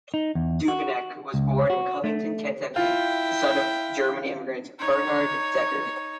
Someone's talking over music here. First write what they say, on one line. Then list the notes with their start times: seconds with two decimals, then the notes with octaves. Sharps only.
Duveneck was born in Covington, Kentucky, the son of German immigrant Bernhard Decker.
0.14 D#4
0.35 E2
0.68 F#4
1.34 C#2
1.70 F#4
2.04 A3
2.76 E4 F4 G5
4.79 D#4 C#5